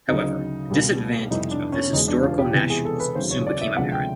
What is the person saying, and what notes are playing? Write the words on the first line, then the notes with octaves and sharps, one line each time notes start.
However, a disadvantage of this historical nationalism soon became apparent.
D2 C#3 F#3 D#4
C#2 B2 G3
F2 C3 E3 G3 D#4
D4
C#4
E1 E2 B2 G#3 D#4
D4
F4
G4
E1 E2 C3 E3 G4
G#4
A4
B4
D#2 C#3 F#3 C5
C#5
D5
E5
D2 C3 F3 G#3 F#5
G5